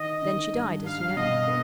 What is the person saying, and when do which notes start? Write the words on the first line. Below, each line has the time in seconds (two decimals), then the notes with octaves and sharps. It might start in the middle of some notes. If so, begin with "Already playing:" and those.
Then she died, as you know.
Already playing: D#3 D#5
0.22 D#3
0.53 G2
0.84 G2 F5
1.16 B2 D#5
1.48 B3